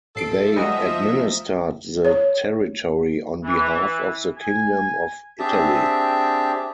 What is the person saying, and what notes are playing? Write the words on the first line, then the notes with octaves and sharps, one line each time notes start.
They administered the territory on behalf of the Kingdom of Italy.
A1 F3 A4 E5 C7 D7
G3 G#3 D#4 F#4 D#5
C#5
E3
G#5
C4 D4 G4 G#4 E5 A5